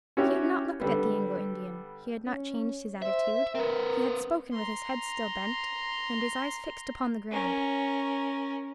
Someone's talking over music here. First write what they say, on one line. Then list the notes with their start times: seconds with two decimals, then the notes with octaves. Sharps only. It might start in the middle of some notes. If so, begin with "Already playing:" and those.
He had not looked at the Anglo-Indian; he had not changed his attitude; he had spoken with his head still bent, and his eyes fixed upon the ground.
0.17 C#4 E4 F#4 G4 C#5
0.80 D3 G3 B3
2.26 C#4
3.02 C5 E5
3.55 C4 A#4 B4
4.53 A#5 C6
7.31 C#4 A#4